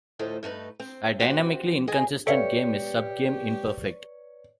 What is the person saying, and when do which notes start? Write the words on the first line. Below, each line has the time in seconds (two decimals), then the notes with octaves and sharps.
A dynamically inconsistent game is subgame imperfect.
0.19 D2 A2 F3 A3 A4 D#5
0.43 G2 A3 D#4 B4
0.80 C4
1.20 C4 F#4 G4
1.88 G#4 D#5 G5 G#5
2.27 G4 A4 B4 C#5 D5 E5 F5 C#7